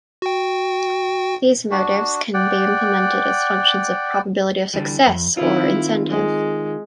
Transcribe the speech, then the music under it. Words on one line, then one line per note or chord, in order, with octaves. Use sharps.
These motives can be implemented as functions of probability of success or incentive.
F#4 G5
D4 F#4
D5 F#5 G5
D3 E3 G3
F2
D#3 C4 E4 F4
G#3